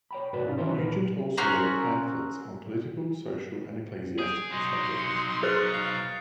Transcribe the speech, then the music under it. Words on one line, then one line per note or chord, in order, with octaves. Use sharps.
Nugent also wrote pamphlets on political, social, and ecclesiastical subjects.
C#5 G5 B5
C2 G#2 F#4 B4 D5
C#4 D#4 F4
D#3 E3 B3 C#4 E4 C5
D#2 A#2 F4 B4
C4 C#4 F#4 A#4
G#4 D#6 G6 D7
F#3 D#4 C6
C#7
G#4 B4 C5 F#6 A6 F7
F5 C7